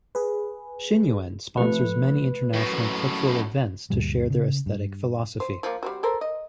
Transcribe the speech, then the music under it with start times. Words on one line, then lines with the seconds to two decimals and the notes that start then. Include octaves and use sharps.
Shinnyo-en sponsors many international cultural events to share their aesthetic philosophy.
0.15 G#4 B4
1.57 C3 F3 A3 B4
2.54 F#2 A2
3.90 D2 G2 A#2 G3
4.30 C#3
4.66 G2
5.40 C5
5.63 F3 A#3
5.83 G3 C4 F#4
6.03 A4 A#4 C5
6.21 D#5